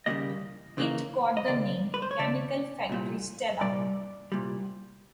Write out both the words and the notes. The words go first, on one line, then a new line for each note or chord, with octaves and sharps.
It got the name Chemical Factory Stella.
D#2 C#3 E3 G3 A#3 D#5
D#2 C#3 E3 G3 A#3
D#5
D#2 C#3 D5
B4
C5
C#5
D#2 C#3 D5
C2 A#2 G3
C2 A#2 G3 D5
C2 A#2 G3